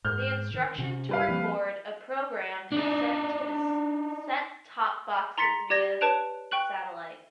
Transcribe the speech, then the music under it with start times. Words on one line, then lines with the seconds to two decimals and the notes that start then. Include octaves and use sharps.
The instruction to record a programme is sent to the set-top boxes via satellite.
0.05 G#2 F6 G6
0.54 D#3
0.78 C3 C#4
1.09 G3 B4 F5
1.28 F3 A#3 C4
2.72 D4 D#4
5.38 A#5 C6 A6 B6 C#7
5.70 G4 D5 G#6 A#6
6.01 B4 C#5 A5 F#6 D7 F7
6.51 G5 C#6 F#6 F#7